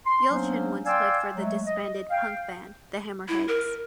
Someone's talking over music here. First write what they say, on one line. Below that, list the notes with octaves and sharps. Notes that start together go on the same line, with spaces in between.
Yelchin once played for the disbanded punk band, the Hammerheads.
C6
F#3 A#3 B3 C#4 D4 C5
D5 F5 G5 G#5 C6 E6
F#3 G#3 A3
D#5
F5 G5
E4
A#4